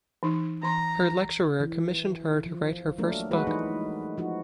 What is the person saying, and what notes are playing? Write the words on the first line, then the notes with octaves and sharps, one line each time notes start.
Her lecturer commissioned her to write her first book.
E3 D#4
E3 A#5 C6
E3
F3
F#3 A3 A#3 D4 A#4
G#3 F#4 B4
E3 D#4 B4
F3 D#4 F#4